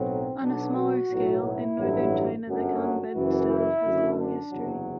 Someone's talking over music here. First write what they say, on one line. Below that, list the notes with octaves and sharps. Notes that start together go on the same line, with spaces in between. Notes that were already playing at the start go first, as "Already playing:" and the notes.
On a smaller scale, in Northern China the Kang bed-stove has a long history.
Already playing: B1 A2 F#3 C4
B1 B2 F#3 D4
F#4
B1 A2 F#3
E4
A1 G2 F#3
G1 F#2 D3 F#3
F#4
F#1 F#2 E3
E4
F#1 F#2 D3
D4
F#1 E2 C3 F#3